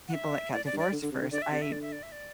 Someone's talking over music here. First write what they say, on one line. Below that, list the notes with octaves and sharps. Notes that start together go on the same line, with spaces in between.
people that got divorced first. I
F#5
E5
A2 D5
D5
G2
D5
D3
D3
C3
D3
D3 D5
E5
C3 D5
E5
D3 D5
E5
D5
E5
D5